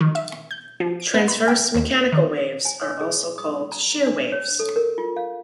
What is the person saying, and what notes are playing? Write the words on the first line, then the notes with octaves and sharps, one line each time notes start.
Transverse mechanical waves are also called "shear waves".
D#3
E5
G6
F3
D7
B3
B5
G5
D#2
D#3
G#5
C#5
G#4
D#6
A#5
D4
C#5
A4
A#4
F4
F5